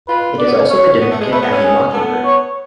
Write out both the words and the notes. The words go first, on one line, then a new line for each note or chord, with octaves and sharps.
It has also been depicted as a mockingbird.
F4 B4
D4 D5
B3
C#4
C#4 C#5
B3
A3
G#3
A3 B4
B3
C#4
G#4
B3 A4
C#5